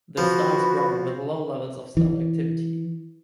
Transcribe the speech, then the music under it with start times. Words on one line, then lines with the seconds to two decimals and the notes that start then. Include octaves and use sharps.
The star is bright with low levels of stellar activity.
0.17 F3 F#4 B4
1.97 E3